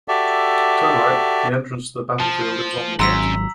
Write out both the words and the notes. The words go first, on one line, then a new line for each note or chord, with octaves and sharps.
Turn right; the entrance to the battlefield is on the right.
F#4 G4 A4 D5 E5
F3 A5
F#7
G#1 F#2 F#3 A#5 C6 E6 B6